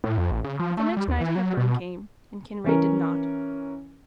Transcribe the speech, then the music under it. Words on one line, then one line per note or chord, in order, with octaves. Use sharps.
With the next night Hepburn came; and Kinraid did not.
A2
F2
A1
C#3
F3
A3
G3
D#2
E3
F#3
B2
E3 C#4 A#4